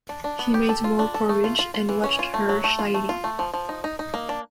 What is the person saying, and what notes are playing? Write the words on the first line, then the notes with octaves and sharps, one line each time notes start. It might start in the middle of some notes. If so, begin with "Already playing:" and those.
He made more porridge and watched her shyly.
D4
D4
B3
G4
A4
F4
D4
A4
A3
F4
F4
F4
E3
C#4
F4
A3
F#3
A3
F4
A3
F4
A3
F3
F3
D#4
D#4
D#4
A#3
D4